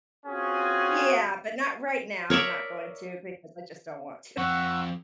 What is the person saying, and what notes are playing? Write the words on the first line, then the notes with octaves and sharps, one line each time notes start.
yeah, but not right now. I'm not going to because I just don't want to,"
C4 C#4 F4 F#4 G#4 G#5
A#4 C#5 D5 E5
F3 C4 F#5 C#6 E6